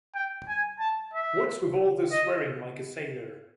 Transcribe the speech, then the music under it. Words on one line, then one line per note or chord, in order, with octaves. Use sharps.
What's with all the swearin' like a sailor?
G5
G#5
A5
E5
D#5